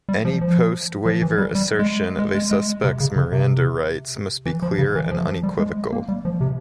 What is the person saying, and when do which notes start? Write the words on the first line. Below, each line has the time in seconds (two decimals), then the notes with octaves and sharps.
Any post-waiver assertion of a suspect's Miranda rights must be clear and unequivocal.
0.09 G3
0.25 F3
0.41 F3
1.06 F3
1.22 E3
1.38 G3
1.55 G3
1.79 G#3
2.19 G#3
2.35 G#3
2.51 G#3
2.84 C3
3.00 C#3
3.16 C#3
3.32 C3
4.46 E3
4.62 F3
4.78 C#3
4.95 E3
5.11 F3
5.27 F3
5.43 G3
5.59 G#3
5.92 A#3
6.08 G3
6.25 F3
6.41 C3